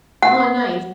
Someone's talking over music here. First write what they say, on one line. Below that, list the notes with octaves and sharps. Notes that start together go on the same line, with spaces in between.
Oh, nice.
F#5